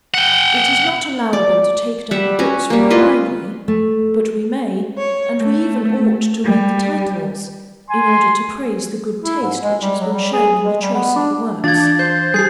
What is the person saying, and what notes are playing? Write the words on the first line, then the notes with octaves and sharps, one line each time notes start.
It is not allowable to take down the books from a library; but we may, and we even ought to read the titles, in order to praise the good taste which has been shown in the choice of the works.
F#5 G5
D5
G3 E5 F#5
C#4 F#4 C#5
G3 A#3
E4 F4 B4 D#5
A3
C#5
A3
G3
G#5 C6
E4
G#2
G#3
G3
F#3
G3
G#4
G#3
G3
B3
D4
E3 D4 F5 G#6 A6
C5 G6
G3 G4 G#4 G6 C7